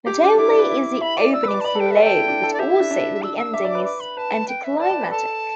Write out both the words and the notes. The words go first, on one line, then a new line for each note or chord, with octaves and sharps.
Not only is the opening slow, but also the ending is anticlimactic.
G4 D6
D4 D6
E4 D6
D5
B4
E4
E5 B5
D5 D6
D5 E6
B4
D6
D5
A5
D5 B5
A4
G5
B4
D5 E5
A4 G5
E4
D4
A4
D5
G4 E5
E4
D4
D4
E6
E6
E5 D6
D5
B4 D6
D6
B5
B4 A5
G5
E5
D5 A5
D5
B4
A4 A5